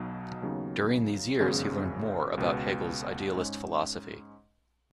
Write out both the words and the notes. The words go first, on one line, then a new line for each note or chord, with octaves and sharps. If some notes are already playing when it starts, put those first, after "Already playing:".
During these years he learned more about Hegel's idealist philosophy.
Already playing: B1 B2 F#3 D#4
D#2 C#3 F#3 B3 D#4
G#1 F#2 C#3 B3 G#4
C#2 B2 B3
G#2 G#3 C#4